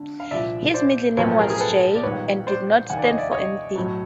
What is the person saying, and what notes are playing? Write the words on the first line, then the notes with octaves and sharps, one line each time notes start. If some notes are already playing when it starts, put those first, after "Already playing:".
His middle name was "J" and did not stand for anything.
Already playing: G#1 D3
F5
C2 A#2 F3 D5 E5
C5 D5
B1 A2 F3 A3 C4 B4 C#5
A4
G#4 A#4
G#4 A#4
A4 B4
D5
A#1 G#2 D#3 G3 B3 B4 C#5
C5 D5
F1 D#2 D#3 F#5 G#5
D5
C#5 D#5
D5 E5
C#5 D#5
B1 A2 F#3